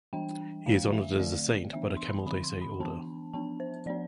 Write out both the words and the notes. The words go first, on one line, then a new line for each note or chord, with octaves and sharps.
He is honored as a saint by the Camaldolese Order.
E3 G3 D4 G5
D3 F3 A3 D4 F5
E5
D3 A3 C4 D5
E3 B3 D4 E5
C6
B5
D3 F3 C4 B5
C6
B5
E3 B3 D4 A5
F3 B3 D4 A5
C5
F3 B3 D4 D5